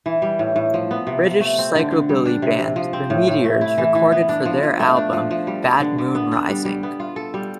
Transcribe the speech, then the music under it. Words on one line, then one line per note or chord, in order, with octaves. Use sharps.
British Psychobilly band The Meteors recorded for their album "Bad Moon Rising".
E3
G3
A2
A2
F3
B3
C3
C3
A3
C4
D3
D3
G3
D4
C3
C3
F3
C4
A2
A2
A3
E4
E3
E3
B3
D4
F3
F3
A3
D4
F3
F3
G3
B3
D3
D3
B3
D4
G3
G3
B3
F4
A4
G3